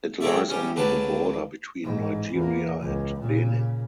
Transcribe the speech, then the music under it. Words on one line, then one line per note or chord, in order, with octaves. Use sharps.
It lies on the border between Nigeria and Benin.
G#3 C4 A4 C#5 D5 E5
G3 C#4 G4
C#2 D3 F#3 B4 D5 A5
A1 G#2
E2 A#3
C#2
A#2 C#3